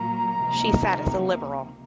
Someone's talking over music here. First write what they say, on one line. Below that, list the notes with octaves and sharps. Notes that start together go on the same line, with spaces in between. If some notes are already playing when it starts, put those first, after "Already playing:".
She sat as a Liberal.
Already playing: A#2 F#3 A#3 A#5
C#2 C3 F3 A#3 D#4